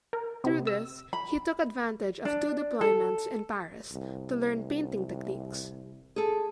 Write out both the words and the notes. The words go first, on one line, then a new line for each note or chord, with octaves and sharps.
Through this, he took advantage of two deployments in Paris to learn painting techniques.
A#4
C3
E6
B5
D4
A4
C2
G#4 A4